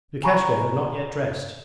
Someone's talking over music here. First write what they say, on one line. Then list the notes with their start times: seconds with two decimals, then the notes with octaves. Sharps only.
Lukashka had not yet dressed.
0.23 G#5 A#5 B5 C#6